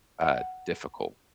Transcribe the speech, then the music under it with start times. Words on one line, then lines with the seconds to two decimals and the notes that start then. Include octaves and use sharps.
uh, difficult.
0.21 F#5